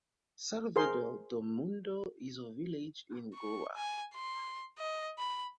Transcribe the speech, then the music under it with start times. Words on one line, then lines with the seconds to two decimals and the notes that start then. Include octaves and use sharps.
Salvador Do Mundo is a village in Goa.
0.76 G#4 A#4 C5 C6
3.34 C#6
3.76 G#5
4.14 C6
4.78 D#5
5.18 B5